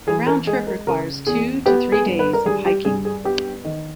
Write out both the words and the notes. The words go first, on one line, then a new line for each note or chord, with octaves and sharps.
The round trip requires two to three days of hiking.
E3 G#4
A#4
G#3 G#4
A#4
C#3 A#4
E2 G#4
B3 G4
G#4
G2
B4
A#4
G3 G#4
G4
G2 G#4
G#4
B3 G4
D#3